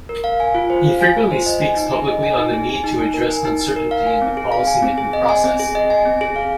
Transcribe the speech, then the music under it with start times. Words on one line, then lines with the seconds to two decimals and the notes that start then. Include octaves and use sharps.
He frequently speaks publicly on the need to address uncertainty in the policy-making process.
0.09 A#4
0.24 F5
0.40 G#5
0.54 F4
0.70 C5
0.85 F5
1.01 G#5
1.16 F4
1.31 C5
1.46 D#5
1.62 G#5
1.77 D#4
1.92 G#4
2.08 D#5
2.23 G#5
2.38 D#4
2.53 G#4
2.69 G#5
2.84 D#4
2.99 D#4
3.14 A#4
3.30 G#5
3.45 D#4
3.61 D#4
3.76 A#4
3.91 F5
4.06 G#5
4.22 C4
4.37 G#4
4.52 F5
4.67 G#5
4.83 C4
4.98 G#4
5.13 D#5
5.29 G#5
5.44 C4
5.59 G#4
5.75 D#5
5.90 G#5
6.05 C4
6.21 G#4
6.36 F5